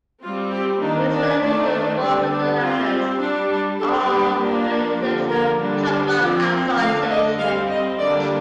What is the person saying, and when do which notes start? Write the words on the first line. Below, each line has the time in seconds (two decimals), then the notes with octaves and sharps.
He was elected to the Board of Directors of the International Trombone Association.
0.22 G3 C4 F4
0.52 G4
0.81 D#3 A#3 D4 D#4
1.11 D4
1.41 D#3 A3 D4
2.01 D3 G3 D4
2.31 D4
2.61 G3 C4 F4
3.20 G3 D4
3.51 D4
3.80 G3 A#3 D4 A4
4.10 G4
4.40 F3 A#3 D4
5.00 D3 F3 A#3 G4
5.30 A#4
5.60 D3 G3 D4
5.90 C5
6.19 F3 C4 D5
6.79 D3 A3 D4 F5
7.10 D#5
7.39 G3 C4 F5
7.69 D#5
7.99 D3 G3 A#3 D4 D5